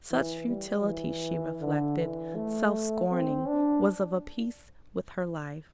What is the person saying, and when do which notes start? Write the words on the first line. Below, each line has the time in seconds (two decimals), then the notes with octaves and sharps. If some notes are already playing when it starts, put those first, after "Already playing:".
Such futility, she reflected, self-scorning, was of a piece with her life.
0.11 E3
0.49 G3
0.86 E3
1.61 D3
1.99 E3
2.36 A3
3.11 C4
3.48 D4